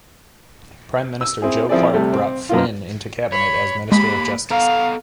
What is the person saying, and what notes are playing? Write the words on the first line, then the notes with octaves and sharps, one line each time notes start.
Prime Minister Joe Clark brought Flynn into Cabinet as Minister of Justice.
E6
C4 E4 G#4
F3 C4 E4 G#4 D5
C3 G3 A3
C4
F#2 A#3 F4
C#5 B5
G#3 A#3 G4 B5
B3 A4 F5 A#5